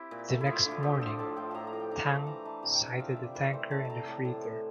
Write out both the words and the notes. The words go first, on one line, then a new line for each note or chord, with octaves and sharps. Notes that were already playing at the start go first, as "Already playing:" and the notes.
The next morning, "Tang" sighted a tanker and a freighter.
Already playing: C4 E4 G4
A#2
A3
E4
F3 F4
E4
D3
F4
F3 G4
A4
C4
C5
A2 A5
A2 G5
A2 A5 A#5
A#5
A2
G5
D4 A#5
A#5
A3
A5
E3 A#5
E3 A5
C3 A#5
G5
C3
E5
F3 F5
E5
C3
D5
E3 A#4
A3 C5
C3 A5
C3 A5 A#5
A2 A5
A2
A2